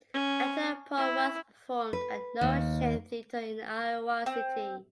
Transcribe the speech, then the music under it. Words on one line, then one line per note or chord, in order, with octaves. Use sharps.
Actor Paul Rust performed at No Shame Theatre in Iowa City.
C#4
E4
B4
D#2
C4